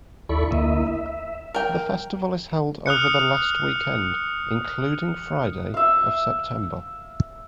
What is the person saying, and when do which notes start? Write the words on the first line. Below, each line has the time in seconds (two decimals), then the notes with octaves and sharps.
The festival is held over the last weekend, including Friday, of September.
0.29 D#2 E4 A4 D5 B5 C#6
0.51 D2 A#3 E4 D#5 E5
0.87 E5
1.54 A#4 G5
2.86 D#6 F6 F#6 C#7
5.74 E5 F5